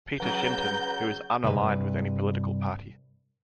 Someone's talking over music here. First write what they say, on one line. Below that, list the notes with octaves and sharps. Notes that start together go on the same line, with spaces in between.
Peter Shinton, who is unaligned with any political party.
C#3 F#3 A#4 B4 F#5 A#5 G6
C2 G2 B4